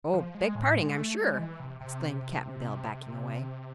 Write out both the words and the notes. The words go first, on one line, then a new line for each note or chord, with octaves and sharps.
"Oh; beg parding, I'm sure!" exclaimed Cap'n Bill backing away.
F3
G#3
A2
G#3
A3
G#3
E3
C3
C3